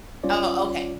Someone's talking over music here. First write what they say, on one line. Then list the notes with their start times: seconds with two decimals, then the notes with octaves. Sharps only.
Oh, okay.
0.24 G3 C#4 F4 C#5 D5